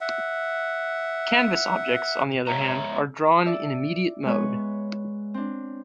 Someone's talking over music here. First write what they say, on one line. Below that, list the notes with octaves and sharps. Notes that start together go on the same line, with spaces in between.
Canvas objects, on the other hand, are drawn in immediate mode.
E5 F#5
G#3 C4 C#5 E5 A#5
D5 E5
G#3 B3 B4 C#5
C4 D4